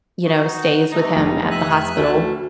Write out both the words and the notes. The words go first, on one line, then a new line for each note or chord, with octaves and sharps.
you know, stays with him at the hospital
D#4 F#4
C3 A3 D#4
F1
E5 G#5 F#6
D2 A3